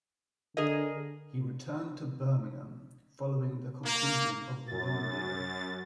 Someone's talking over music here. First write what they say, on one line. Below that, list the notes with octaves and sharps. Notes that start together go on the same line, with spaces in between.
He returned to Birmingham following the conclusion of the loan deal.
D3 G#4 A#4 D#5
A#3
F#2 A6